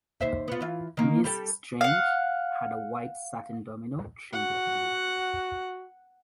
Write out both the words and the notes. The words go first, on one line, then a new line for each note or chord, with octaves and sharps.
Miss Strange had a White satin domino trimmed with Blue.
D#2 C5 E5
B3 F4
E3 F4
D#3 A#3
G3 G4 A4
F5 F#5
F#4 F#5